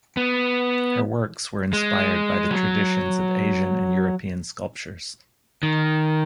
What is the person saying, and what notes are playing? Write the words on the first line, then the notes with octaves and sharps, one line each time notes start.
Her works were inspired by the traditions of Asian and European sculptures.
B3
G#3
F#3
D#3